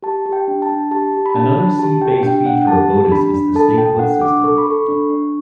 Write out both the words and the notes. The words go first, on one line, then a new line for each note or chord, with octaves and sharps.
Another seat-based feature of Modus is the "Stay Put" system.
G4 A5
G4
G5
D4
A5
D4
G4 A5
G4
B5
D4 A5
D4
G4 A5
G4 G5
D4 G5
D4 F#5
G4 A5
G4
D4 B5
D4
A4 A5
A4 G5
D4 F#5
D4 D6
A4 C#6
B5
A4 C#6
D4
D4